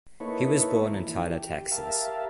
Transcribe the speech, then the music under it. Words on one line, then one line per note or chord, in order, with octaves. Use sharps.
He was born in Tyler, Texas.
A#3 D#4 E4 A4 B4 C#5
E3
G4
G4 A#4 E5 F5 A5